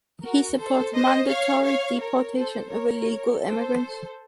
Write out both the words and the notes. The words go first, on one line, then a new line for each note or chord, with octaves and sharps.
He supports mandatory deportation of illegal immigrants.
F#4 A#4
A4 C5
C5 D#5
C#5 F5
C#5 F5
A#4 C#5
A4 C5
A#4 C#5
A4 C5